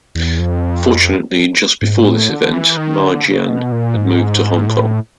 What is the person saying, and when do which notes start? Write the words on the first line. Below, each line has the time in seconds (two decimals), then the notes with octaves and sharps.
Fortunately, just before this event, Ma Jian had moved to Hong Kong.
0.15 E2
0.39 F2
1.82 G#2
2.05 A2
2.30 D3
2.53 E3
2.77 D#3
3.01 D3
3.25 C#3
3.49 B2
3.72 A#2
3.97 G#2
4.67 A2